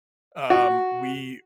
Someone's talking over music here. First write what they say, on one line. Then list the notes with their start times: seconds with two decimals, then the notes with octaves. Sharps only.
um, we
0.50 F#4